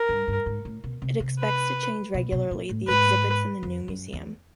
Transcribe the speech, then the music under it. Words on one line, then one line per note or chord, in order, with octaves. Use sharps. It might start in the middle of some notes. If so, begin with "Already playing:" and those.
It expects to change regularly the exhibits in the new museum.
Already playing: A#4
G2
G2
G#2
A2
B2
C3
C3
B4
B2
B2
A#2
A2
G#2 B4
F2
F#2
E2